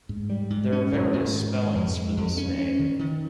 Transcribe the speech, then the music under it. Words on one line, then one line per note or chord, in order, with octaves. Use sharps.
There are various spellings for this name.
G#2
G3
G#2
C#4
G#2
G#2
D#3
G#3
F2
G#3
F2
C#4
C#4
D#3
D#3